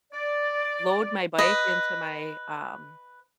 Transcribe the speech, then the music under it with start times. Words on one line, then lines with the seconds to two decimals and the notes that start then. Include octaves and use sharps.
load my bike into my, um,
0.12 D5
1.38 B4 D#5